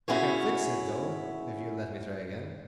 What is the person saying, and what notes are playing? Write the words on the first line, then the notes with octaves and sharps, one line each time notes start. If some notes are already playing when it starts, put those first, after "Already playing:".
I can fix it, though, if you'll let me try again.
C#4 E4 F#4 G#4 C#5